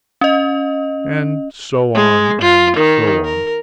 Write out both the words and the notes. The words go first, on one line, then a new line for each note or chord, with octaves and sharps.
And so on, and so on.
C#4 D#5
G#3
F4
D#3
A#4